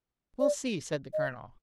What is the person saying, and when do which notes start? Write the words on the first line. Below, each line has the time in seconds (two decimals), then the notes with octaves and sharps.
"We'll see," said the colonel.
0.40 D5
1.13 D#5